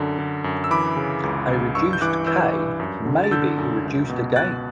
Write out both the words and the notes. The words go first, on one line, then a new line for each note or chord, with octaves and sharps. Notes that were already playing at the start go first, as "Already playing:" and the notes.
A reduced "K" may be reduced again.
Already playing: F#2 D3
D3
F#2
E6
E3 B5 D6
C#3
C#2
C#2
G2 C#6 E6
G6
E3 D6 F#6
E3 E6 G6
G2
F#2
D3
A6
D3 E6 G6
F#2
C#2
B2
B2 F#6 A6